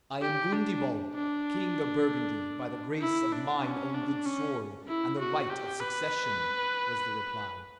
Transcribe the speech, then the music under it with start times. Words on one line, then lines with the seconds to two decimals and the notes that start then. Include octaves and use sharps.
"I am Gundebald, King of Burgundy by the grace of mine own good sword and the right of succession," was the reply.
0.21 G4
0.53 D4
1.15 D4
3.01 E4
3.32 D4
3.64 C#4
3.94 D4
4.26 C#4
4.88 E4
5.19 F#4
5.50 G4
5.81 B4